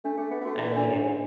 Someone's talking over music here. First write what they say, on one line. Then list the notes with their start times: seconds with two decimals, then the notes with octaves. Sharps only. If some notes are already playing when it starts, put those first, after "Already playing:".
I mean,
0.05 A3 D4
0.18 A3 G#4
0.31 B3 G#4
0.41 B3
0.45 A3 F#4
0.59 E3 E4
0.72 D3 D4
0.86 F#2
0.94 G#2 D4